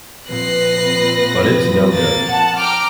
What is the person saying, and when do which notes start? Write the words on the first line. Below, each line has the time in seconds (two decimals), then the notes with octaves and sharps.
But it's no good.
0.29 A#2 F3 C4 B4 F#6 A#6 C7
1.92 A#3 A6
2.28 F#5 A5
2.58 G5 A#5 D6 F6